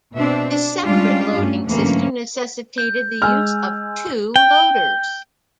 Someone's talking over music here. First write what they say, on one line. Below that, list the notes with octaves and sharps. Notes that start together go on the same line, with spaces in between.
This separate-loading system necessitated the use of two loaders.
B2 C4 D4 E5
D4
G3 G#3 C#4 D4 F4 G4
G2 A3 C#4
D2 G#2 E3 F#3 A#3 C#4
G6
G#3 G#5 E6 F6
G5